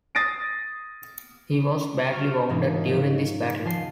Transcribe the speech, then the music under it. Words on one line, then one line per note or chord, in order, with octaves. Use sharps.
He was badly wounded during this battle.
D#6 A6 A#6 C7 D7
F#4 C#6 F6 G6 D7
G#2 E3 G#3 A#3 D4 D#4
C#3 F3
D#1 F3 G#5 A5 C6 C7